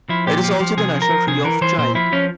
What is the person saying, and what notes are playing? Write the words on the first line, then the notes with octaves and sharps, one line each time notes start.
It is also the national tree of Chile.
F3 E4
A#2 G4
F3
F3
C3 G#4
F3
A#4
F3
C3 G#4
E3 A#4
E3 C5
A#2 C5
F3 E4
F3 C#4